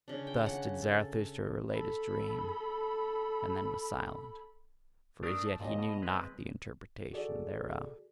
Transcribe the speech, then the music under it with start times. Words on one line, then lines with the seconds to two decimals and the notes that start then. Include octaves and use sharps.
Thus did Zarathustra relate his dream, and then was silent: for as yet he knew not the interpretation thereof.
0.08 C#3 D4
0.27 G5
0.46 F#5
0.82 A4
1.72 A4 B5
5.23 A3 D4 A#4 D#6
5.46 A5
5.60 D#2 A#2 D#5
5.79 B2
6.02 G#3 C4 B4
7.13 F#4 G#4 A4 D5